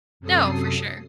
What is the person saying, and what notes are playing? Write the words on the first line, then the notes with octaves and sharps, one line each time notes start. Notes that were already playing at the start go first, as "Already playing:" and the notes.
No, for sure.
F#2 C3 F#3 A4 D#6 C7